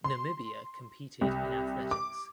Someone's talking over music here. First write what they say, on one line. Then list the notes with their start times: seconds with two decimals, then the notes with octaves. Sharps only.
Namibia competed in athletics.
0.04 C6
1.21 C2
1.91 D6